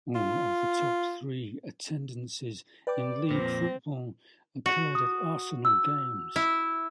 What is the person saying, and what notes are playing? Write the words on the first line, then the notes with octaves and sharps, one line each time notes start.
All of the top three attendances in league football occurred at Arsenal games.
F4
B4 D5 G5 D6
F2 A#2 C4 A#6
F#4
D#6
E6
E4